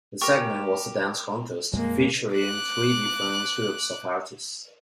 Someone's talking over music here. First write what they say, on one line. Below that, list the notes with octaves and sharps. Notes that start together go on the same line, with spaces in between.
The segment was a dance contest featuring three different groups of artists.
G4 A#4 C#6
F2 A#2 G3 G#3 A#3
D6 F#6